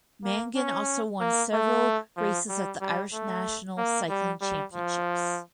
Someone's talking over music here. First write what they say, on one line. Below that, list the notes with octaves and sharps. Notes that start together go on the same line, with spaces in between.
Mangan also won several races at the Irish National Cycling Championships.
A#3
C#4
A#3
A3
F3
G3
G3
A3
A#3
G3
G3
F3